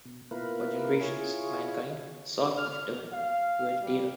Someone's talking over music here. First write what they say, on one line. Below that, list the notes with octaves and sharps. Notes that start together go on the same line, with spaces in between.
For generations, mankind sought a return to Alterra.
B2
B2 A#3 E4 F4 A#4 B4
E4 F4 G#4 C#5
F6
F5
G3